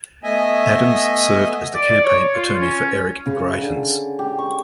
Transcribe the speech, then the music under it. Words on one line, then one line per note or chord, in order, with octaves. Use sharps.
Adams served as the campaign attorney for Eric Greitens.
A3 B3 D#5 E5 G#5
D5
C#5
F4
C#4
C#3
D3
G4
C#6